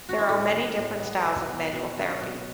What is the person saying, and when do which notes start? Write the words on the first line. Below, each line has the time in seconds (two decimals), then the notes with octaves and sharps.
There are many different styles of manual therapy.
0.09 F#4
0.18 E4
0.28 A2 D#4
0.53 G3 B3
0.77 A2
1.01 G3 B3
1.25 B2
1.49 F#3 B3
1.73 B2
1.97 F#3 B3
2.21 B2